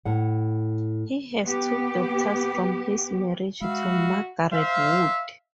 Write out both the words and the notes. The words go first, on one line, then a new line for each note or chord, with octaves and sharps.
He has two daughters from his marriage to Margaret Wood.
A2 F#5
B3 G4
G#3 F#4 E5 F5 B5
C5 E5 F5